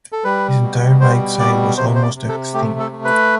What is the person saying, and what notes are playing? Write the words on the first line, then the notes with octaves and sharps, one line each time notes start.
His entire right side was almost extinct.
A4
G3 B4
B2
G3 C5
B2 D5
C3 C5
C5
D5
C3
A4
A3 G4
A4
A3
B4